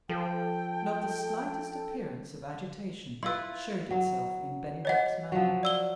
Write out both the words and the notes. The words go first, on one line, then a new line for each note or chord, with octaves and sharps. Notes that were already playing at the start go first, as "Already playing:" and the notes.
Not the slightest appearance of agitation showed itself in Bennydeck's manner.
F3 A4 G5
E4 F4 B4 C6 E6
F#3
C#5 D#5 F#5
F3 F#3
D5 E6 G7